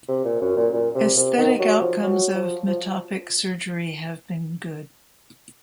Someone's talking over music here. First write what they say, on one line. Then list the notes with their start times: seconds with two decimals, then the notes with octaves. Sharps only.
Aesthetic outcomes of metopic surgery have been good.
0.08 C3
0.25 A#2
0.41 F#2
0.57 A#2
0.73 A#2
0.95 C3
1.16 C3
1.37 D#3
1.60 F#3
1.81 F3
2.03 F#3
2.34 F3
2.67 F3